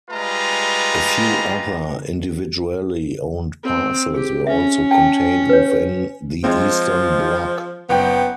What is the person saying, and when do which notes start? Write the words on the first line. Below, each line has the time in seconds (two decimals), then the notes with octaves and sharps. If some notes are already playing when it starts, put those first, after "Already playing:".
A few other individually owned parcels were also contained within the eastern block.
0.11 G3 G#3 F4 B4 A#5
3.63 C4
4.14 G4 G#4
4.47 C#4 E5
4.91 G5 A5
5.49 B4 C#5
6.44 F3 G#3 C4
7.89 F#1 B3 G5